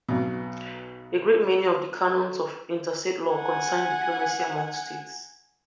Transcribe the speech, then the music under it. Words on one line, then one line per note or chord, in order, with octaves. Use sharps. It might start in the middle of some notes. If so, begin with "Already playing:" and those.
A great many of the canons of interstate law concerned diplomacy among the states.
B1 B2
F#5 G#5